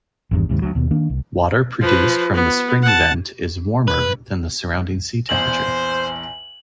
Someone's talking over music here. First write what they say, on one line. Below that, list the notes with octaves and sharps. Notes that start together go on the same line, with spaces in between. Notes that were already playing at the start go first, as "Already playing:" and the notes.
Water produced from the spring vent is warmer than the surrounding sea temperature.
G#1 E2 G2
D#2 G#2 C3
D2 F#3
D#2 B2
D#3 A#3 D4
C2
F3 B4
B3
F#5 A5
B4
A#1 E2 C5 F#7